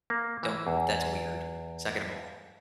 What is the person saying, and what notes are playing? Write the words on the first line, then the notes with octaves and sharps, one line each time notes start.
don't that's weird. Second of all
A#3
E3
E2